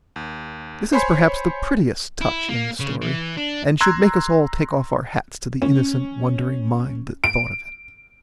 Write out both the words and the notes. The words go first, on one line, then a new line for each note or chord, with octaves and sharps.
This is perhaps the prettiest touch in the story and should make us all take off our hats to the innocent wondering mind that thought of it.
D#2
C5 C#5 G#5 B5 C6
E4
A#3
C#3
E3
D4
A#5 C6 E6 F#6 G#6
C#4
D7